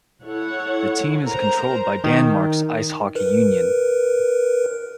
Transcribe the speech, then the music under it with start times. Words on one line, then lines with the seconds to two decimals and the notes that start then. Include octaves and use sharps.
The team is controlled by Danmarks Ishockey Union.
0.25 E4 A4 C#5 F#5
1.25 A#4 C5 A#5
2.04 D#3
3.15 A#4 B4